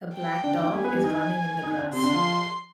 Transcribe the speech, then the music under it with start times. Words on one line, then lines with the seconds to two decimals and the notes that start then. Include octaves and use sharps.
A black dog is running in the grass.
0.15 G5
0.43 D3 D4
0.59 D#3 D#4
0.74 G3 G4 G#5
0.84 B3 B4
0.94 G3 G4
1.04 D#3 D#4
1.63 D#3 D#4
1.79 D3 D4
1.93 C3 C4 C6
2.03 D3 D4
2.13 F3 F4